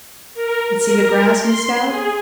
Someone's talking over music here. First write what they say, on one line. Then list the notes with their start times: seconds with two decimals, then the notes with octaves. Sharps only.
But see the grass missed out!
0.34 A#4
0.76 A#4
1.40 C6
1.85 G#4